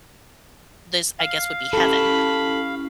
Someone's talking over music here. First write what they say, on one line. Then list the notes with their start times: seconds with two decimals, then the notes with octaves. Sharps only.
this, I guess, would be heaven.
1.19 F5
1.73 C#4 E4 G4 A4 B5